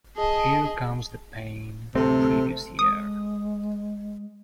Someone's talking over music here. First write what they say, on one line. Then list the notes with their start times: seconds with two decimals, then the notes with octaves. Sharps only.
Here Comes the Pain the previous year.
0.17 G#4 D#5 A5
1.95 D1 C3 A3 C4 A4
2.79 G#3 D#6